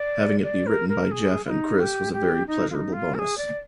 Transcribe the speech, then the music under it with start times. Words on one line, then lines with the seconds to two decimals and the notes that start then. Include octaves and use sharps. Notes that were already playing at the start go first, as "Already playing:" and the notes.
Having it be written by Geoff and Kris was a very pleasurable bonus.
Already playing: D5
0.44 D5
0.67 A#4
0.89 A#4
1.11 G#4
1.45 F4
1.49 D#4
1.79 G4
2.13 G4
2.47 D#4
2.70 F4
2.74 D#4
2.93 F4
3.14 A#4
3.19 G#4
3.38 D5